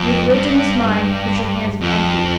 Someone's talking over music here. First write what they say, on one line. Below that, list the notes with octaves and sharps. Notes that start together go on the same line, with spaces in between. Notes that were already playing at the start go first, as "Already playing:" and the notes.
You have lived in this mine, which your hands have emptied.
Already playing: F2
G2
F2